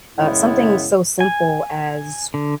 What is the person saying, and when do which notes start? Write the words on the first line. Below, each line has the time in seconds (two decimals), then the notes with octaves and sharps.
Uh, something so simple as
0.16 F#2 A2 C#3 G#3 B3 E4
1.20 G#5
2.34 D3